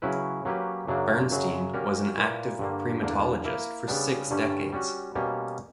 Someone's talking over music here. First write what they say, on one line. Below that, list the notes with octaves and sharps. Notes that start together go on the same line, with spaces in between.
Bernstein was an active primatologist for six decades.
C#3 F#3 C#4 E4 B4
F#3 A#3 C#4 G4 B4
F#2 C#3 F#3 A#3 D4
F#2 C#3 F#3
G3 A#3 C#4 F#4 A#4
A#2 A#3 E4 B4
G2 D3 A#3
E2 D3 A#3 D4
A#3 E4 A#4
C#3 G3 B3 D4
G2 D3 G3 C#4
G3 C#4 F#4
B2 G3 A#3 C#4